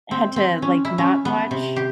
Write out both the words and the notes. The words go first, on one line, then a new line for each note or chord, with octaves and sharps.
Had to, like, not watch
C4
C4
C#4
E4
C#4
B3
C3
G4